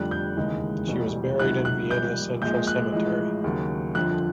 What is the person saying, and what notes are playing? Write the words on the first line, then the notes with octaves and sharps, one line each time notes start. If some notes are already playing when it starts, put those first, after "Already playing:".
She was buried in Vienna Central Cemetery.
Already playing: F1 F2 D3 G3 F#6
G6
E1 D#2 C#3 E3 G#3
F1 E2 B2 G3
C#2 C3 D#3 F#3 F#6
F#6
A#1 G#2 D#3 G3 G6
A#1 A#2 F3 G#3 G6
F#6
A1 A2 F3 G#3
D#2 C#3 F#3
G1 F2 D3 F3 F#6